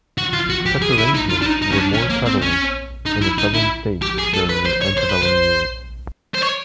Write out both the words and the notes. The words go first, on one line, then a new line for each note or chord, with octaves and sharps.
Such arrangements were more prevalent in the Southern states during the antebellum years.
F#4
F4
F#4
G4
G#4
E4
D#4
F4
D4
D#4
D#4
C#4
D4
C#4
A#3
C4
C#4
D#4
E4
D#4
E4
G4
G#4
A4
B4
C5
C#5
C5
B4
C5
C5
C#5